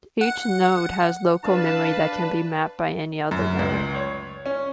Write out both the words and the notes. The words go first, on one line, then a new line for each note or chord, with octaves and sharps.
Each node has local memory that can be mapped by any other node.
F#5
D4 B4 F5 A5
F#2
C#2
C#5
C#4